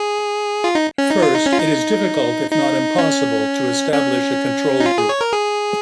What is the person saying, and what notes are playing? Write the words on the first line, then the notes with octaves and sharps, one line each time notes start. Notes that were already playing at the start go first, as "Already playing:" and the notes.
First, it is difficult if not impossible to establish a control group.
Already playing: G#4
F4
D#4
C#4
D#4
F4
D#4
C#4
F4
D#4
D#4
C#4
C#4
D#4
F4
G#4
C#5
A#4
G#4